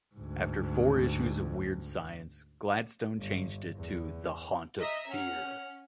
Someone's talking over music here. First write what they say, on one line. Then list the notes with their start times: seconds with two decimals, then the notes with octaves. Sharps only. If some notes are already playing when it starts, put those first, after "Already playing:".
After four issues of "Weird Science", Gladstone changed it to "The Haunt of Fear".
0.15 D2 G#2
3.18 G1
3.76 E2
4.79 D#5 E5 A#5
5.10 C#4 F#5 F6